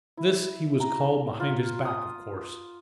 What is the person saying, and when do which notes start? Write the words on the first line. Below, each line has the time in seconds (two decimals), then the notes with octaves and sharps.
This he was called behind his back, of course.
0.17 E4
0.80 A#5
1.40 F4
1.85 D#6